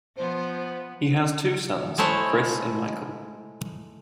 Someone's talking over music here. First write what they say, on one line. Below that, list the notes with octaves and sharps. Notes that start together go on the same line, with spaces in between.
He has two sons, Chris and Michael.
F3 B3 C5
G#3 A3 E4 C5 C#5